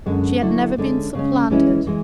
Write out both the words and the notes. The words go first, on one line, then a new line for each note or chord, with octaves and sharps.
She had never been supplanted.
F#2 D3 G#3
D3 F#3 A3 E4
D3 G#3 C#4
C#3 G#3 C#4
E3 G#3 C#4 E4 A4
E3 G#3